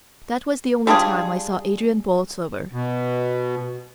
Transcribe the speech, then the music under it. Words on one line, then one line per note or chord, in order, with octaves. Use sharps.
That was the only time I saw Adrian Borlsover.
G3 D4 F4 G#4
B2